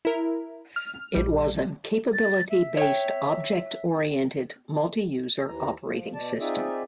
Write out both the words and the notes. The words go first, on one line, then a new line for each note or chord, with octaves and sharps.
It was an capability-based object-oriented multi-user operating system.
E4 A#4
F6
A#1 G3
A6
E5
C#5 G5
D#2 E3 A#5
F3
B2 D5 A5
C4 D#4 F4 G#4 D5 E5